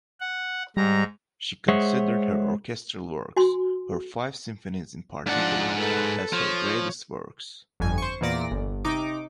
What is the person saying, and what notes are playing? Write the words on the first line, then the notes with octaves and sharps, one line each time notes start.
She considered her orchestral works, her five symphonies in particular, as her greatest works.
F#5
G#2 G3 A#5
G#3 G#4 C5 C#5 E5 F#5
F#4 G#5 C6
G#2 F3 D4 F#5
A4 B4
F3 C#5
G1 F2 G#5
C5 C#6
E2 A#2 D5 A#6
G1
C3 D#4 D6